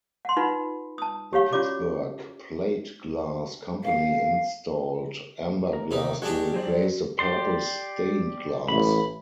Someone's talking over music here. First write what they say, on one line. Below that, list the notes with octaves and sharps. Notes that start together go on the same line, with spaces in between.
The Pittsburgh Plate Glass Company installed amber glass to replace the purple stained glass.
F#5 C6
D#4 F4 B4 F#5 B5
A5 D#6
G4 C#5 F5 C#6
C#4 F4 F#4 C#5 D5 D6
F5
A#4
C3 D#4
G#3 D4 F#4 G4
F#3 C5 D5
G4 D5 C6
A1 B5